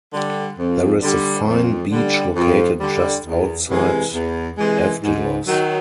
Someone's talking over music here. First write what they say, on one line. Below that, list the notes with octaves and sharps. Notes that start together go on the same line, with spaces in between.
There is a fine beach located just outside Evdilos.
D3 G3
F2
D3 G3
F2
D3 G3
F2
D3 G3
E2
C3 E3 G#3
E2
C3 E3 G#3
G#2
D#3 F#3